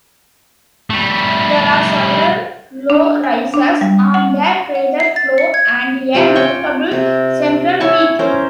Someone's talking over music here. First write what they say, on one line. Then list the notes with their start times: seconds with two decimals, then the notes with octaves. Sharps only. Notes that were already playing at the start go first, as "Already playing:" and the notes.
There are several low rises on the crater floor and a notable central peak.
0.90 G3 A3
2.90 D4
3.24 G#5
3.54 D4
3.81 G3
4.14 F#5
4.75 F#5
5.00 C7
5.16 A6
5.38 C#7
5.54 G#6
6.15 C3 F4 G4
6.35 C#5 G5 G#5 C#6
6.91 C3
7.80 E4 C#5 G#5 A5
8.19 C#4 A#4 C5